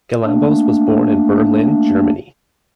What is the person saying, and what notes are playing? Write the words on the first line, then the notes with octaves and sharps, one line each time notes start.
Galambos was born in Berlin, Germany.
A3 A#3 D4